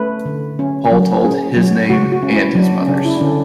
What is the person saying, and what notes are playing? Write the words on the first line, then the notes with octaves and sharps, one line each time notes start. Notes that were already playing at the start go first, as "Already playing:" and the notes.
Paul told his name and his mother’s.
Already playing: A3 C#4 B4
D3
C#4
F#3
C#4 G#4
F#3
C#3 F#4
F#4
C#4
E4
F#3 D4
C#4
C#3 D4
E4
D4
D3 C#4